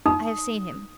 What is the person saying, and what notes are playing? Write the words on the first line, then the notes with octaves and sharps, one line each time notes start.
"I have seen him."
D#4 D#6